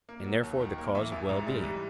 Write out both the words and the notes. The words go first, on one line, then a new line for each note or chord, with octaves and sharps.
And therefore the cause of well-being?
A#3
F#3
D#2
D#3
A#3
E3 E5
A1
G#2
G3
E3